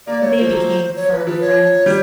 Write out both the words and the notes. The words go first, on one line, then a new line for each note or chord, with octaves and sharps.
They became firm friends.
A#3 D5
A3 C#5
F3 C5
F#3
C#5
B4
F3 B4
C#5
G3